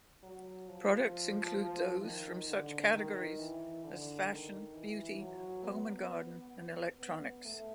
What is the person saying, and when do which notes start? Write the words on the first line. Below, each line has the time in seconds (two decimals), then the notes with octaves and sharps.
Products include those from such categories as fashion, beauty, home and garden, and electronics.
0.23 F#3
0.68 F3
2.03 D#3
2.48 D3
2.94 D#3
3.39 E3
3.84 D3
4.29 D#3
4.74 E3
5.19 F#3
5.64 B3
7.00 B3
7.45 A3